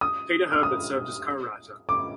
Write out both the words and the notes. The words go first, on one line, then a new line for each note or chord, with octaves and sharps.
Peter Herbert served as co-writer.
D#6
F6
D#6
D6